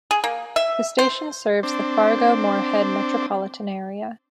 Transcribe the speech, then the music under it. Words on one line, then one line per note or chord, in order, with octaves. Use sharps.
The station serves the Fargo-Moorhead metropolitan area.
G#4
A#3
E5
C5
C4 D4